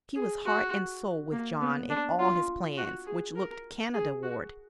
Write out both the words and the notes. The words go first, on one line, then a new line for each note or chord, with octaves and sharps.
She was heart and soul with John in all his plans which looked Canada-ward.
G#4
F#4
A#3
B3
D4
F4
F#4
G#4
A#4
G#4
F#4